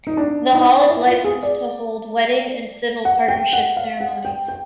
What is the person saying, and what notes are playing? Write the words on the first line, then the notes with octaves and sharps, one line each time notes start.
The Hall is licensed to hold wedding and civil partnership ceremonies.
D#4
D4
D#4
E4
F4
G#4
D5
F#5
G5
F#5
F5
F#5
G5
G5